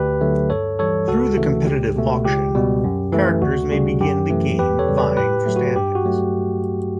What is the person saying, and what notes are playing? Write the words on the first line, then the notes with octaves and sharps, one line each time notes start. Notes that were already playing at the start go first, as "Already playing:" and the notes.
Through the competitive Auction, characters may begin the game vying for standings.
Already playing: D2 G4 B4
D3 F#3 A3
G2 A4 C#5
E3 G3 A4 C#5
C#2 F#4 A4
C#3 E3 A3
C#2 G4
B2 A3
C#2 G4
B2 G3
F#2
E3 A3
D2 F#4
C#3 G3
F#2 G4
E3 A3
E2 G4 B4
A4 C#5
C#3 G3
B4 D5
A2 G4 B4
F#3 A3
F#4
G2 G4
F#4
F#3 A3